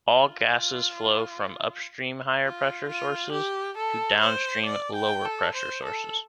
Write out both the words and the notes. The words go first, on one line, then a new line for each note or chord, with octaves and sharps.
All gases flow from upstream higher pressure sources to downstream lower pressure sources.
F4
F4
F4
G4
A4
C5
D5
G5
A4
C5
A4